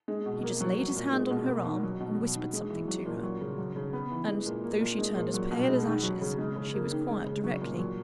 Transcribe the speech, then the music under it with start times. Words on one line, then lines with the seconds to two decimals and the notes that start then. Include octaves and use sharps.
He just laid his hand on her arm, and whispered something to her; and, though she turned as pale as ashes, she was quiet directly.
0.08 G#3
0.26 B2
0.43 A#3
0.61 F#3
0.78 F#3
0.95 A#2
1.13 G#3
1.30 B2
1.48 A#3
1.66 D#3
1.83 F#3
2.00 B2
2.18 F#3
2.36 D#3
2.53 G#3
2.70 E3
2.88 F#3
3.06 A#2
3.23 F#3
3.40 C#3
3.58 F#3
3.76 C#3
3.93 B3
4.11 E3
4.28 G#3
4.46 A#2
4.64 A#3
4.81 A#2
4.98 G#3
5.16 A#2
5.34 F#3
5.51 B2
5.68 G#3
5.86 D#3
6.03 F#3
6.21 C#3
6.38 G#3
6.56 C#3
6.74 A#3
6.91 D#3
7.09 G#3
7.26 C#3
7.44 F#3
7.61 A#2
7.79 F#3